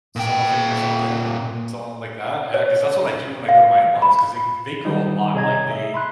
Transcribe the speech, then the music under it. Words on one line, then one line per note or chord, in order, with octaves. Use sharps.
cellophane or something and something like that, yeah, cause that's what I do when I go to my in-laws, 'cause they they grow a lot, like, they,
A#2 G5
C#5
F5
B5
D#3 G3 D#4
C3 G#4 C#5 D#5 A#5 G#6
E5
B5 C6 F#6